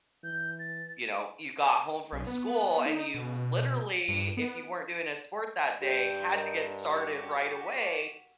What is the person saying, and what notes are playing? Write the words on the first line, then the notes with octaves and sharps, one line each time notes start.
you know, you got home from school, and you literally, if you weren't doing a sport that day, had to get started right away,
E3 G6
A6
B1
B3
D#4
B2
G2
B3
G2 G4 D5 G5
A#4 D#5 A#5
F#4 G4
F#5 B6